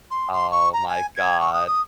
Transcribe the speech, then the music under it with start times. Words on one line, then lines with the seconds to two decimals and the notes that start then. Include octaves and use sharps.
Oh, my god.
0.10 C6
0.32 C6
0.51 C#6
0.73 A#5
0.88 G#5
1.16 G#6
1.40 C#6
1.52 D#6
1.67 D#6